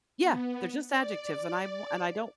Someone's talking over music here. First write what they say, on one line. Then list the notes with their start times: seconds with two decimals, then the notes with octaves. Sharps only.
Yeah. They're just adjectives, and I wa and I don't
0.20 B3
0.89 D5